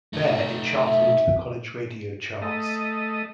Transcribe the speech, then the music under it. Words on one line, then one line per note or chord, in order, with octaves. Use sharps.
There it charted into the college radio charts.
A3 D#4
E5
A3 D#5